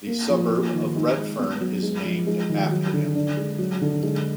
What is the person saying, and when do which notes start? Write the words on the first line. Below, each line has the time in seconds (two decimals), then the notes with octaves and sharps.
The suburb of Redfern is named after him.
0.07 A#3
0.29 F3
0.50 A#3
0.72 D#3
0.95 D#4
1.17 G#3
1.39 B3
1.61 F#3
1.83 G#3
2.05 F3
2.27 G#3
2.49 D#3
2.71 F#3
2.93 D3
3.15 D4
3.37 G#3
3.59 F#3
3.82 D3
4.03 G#3